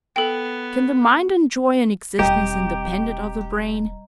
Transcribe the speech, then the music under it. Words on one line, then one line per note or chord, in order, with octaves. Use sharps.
Can the mind enjoy an existence independent of the brain?
B3 A4 G5
E1 G3 C4 G4 D#5 G5 A#5